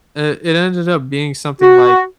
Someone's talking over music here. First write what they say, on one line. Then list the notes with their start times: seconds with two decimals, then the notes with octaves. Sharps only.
uh, it ended up being something, like,
1.61 F#4